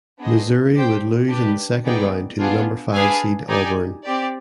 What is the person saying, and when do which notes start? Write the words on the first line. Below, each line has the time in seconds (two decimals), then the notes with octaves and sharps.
Missouri would lose in the second round to the number five seed Auburn.
0.20 B3 D4 G#4 C5 D#5
0.74 D4 G4 C5 G5
1.29 D4 G4 B4
1.84 B3 D#4 G#4 D5 G5
2.39 B3 D4 F4 G#4
2.93 D4 G#4 B4 F5 G#5
3.48 D#4 G4 D5 G#5
4.04 C4 G4 D5